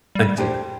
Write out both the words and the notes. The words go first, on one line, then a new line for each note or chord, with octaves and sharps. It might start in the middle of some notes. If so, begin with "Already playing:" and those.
I see.
G3
D4 G4 C5